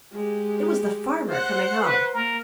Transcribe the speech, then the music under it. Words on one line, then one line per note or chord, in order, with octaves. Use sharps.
It was the farmer coming home.
G#3 G4
C5 F#5
B4
A#3 A#4